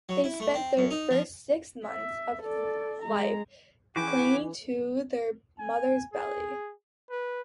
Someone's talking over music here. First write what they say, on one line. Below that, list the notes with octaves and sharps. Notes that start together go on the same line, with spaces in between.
They spend the first six months of life clinging to their mother's belly.
F#3
E4
A3
C4
F#2
D#4
F3
E5
A4 D5
G#3 A#5
E3 C#4 F#4 G#4 B4 G5 D6
G#5
G#4
B4